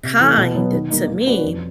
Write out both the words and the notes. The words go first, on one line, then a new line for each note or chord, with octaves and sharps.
kind to me,
C3
E3 A3
B2
F#3 B3
D#3
G3 A#3 D#4
A#3
C#4 F#4 B4 D5
F2